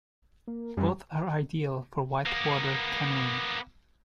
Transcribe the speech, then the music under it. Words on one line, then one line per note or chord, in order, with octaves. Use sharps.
Both are ideal for whitewater canoeing.
A#3
F#2 G3
A#3 B3